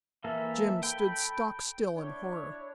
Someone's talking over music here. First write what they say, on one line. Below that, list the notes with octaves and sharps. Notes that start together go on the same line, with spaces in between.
Jim stood stock still in horror.
E3 A#3 A4 E5
A4 G5 B5
D4 E4 C#5